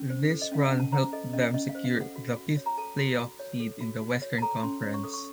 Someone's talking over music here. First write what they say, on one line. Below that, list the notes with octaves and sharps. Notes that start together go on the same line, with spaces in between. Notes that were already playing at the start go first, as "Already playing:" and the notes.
This run helped them secure the fifth playoff seed in the Western Conference.
Already playing: C#4
C5
A4
D#5
C#4 F5
F#5
C#4
A5
C5 A#5
A4 D#5
C#4 D#5
C#4 D#5
F5
C5
F5
A4
F#5
F#4
F#4
C#5
A#5
A4 A5
F#4
F#4
C#5
A4
F#4
F#4
C#5
A5
A4 A#5
C#4 C6
C#5
C#6
A4 D#6
C#6